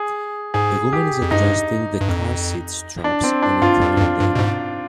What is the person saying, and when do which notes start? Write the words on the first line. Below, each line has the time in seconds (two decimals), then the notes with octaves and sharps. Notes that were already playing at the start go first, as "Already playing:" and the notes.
A woman is adjusting the carseat straps on a crying baby.
Already playing: G#4
0.54 G#2 G#4
0.93 G4
1.22 F2
1.31 G2 D#4
2.01 G2
2.08 F2
3.04 D4
3.23 C4
3.42 D4
3.62 G2 F4
3.82 F2
3.97 G2
4.01 F2
4.20 G2
4.35 B2
4.39 G#2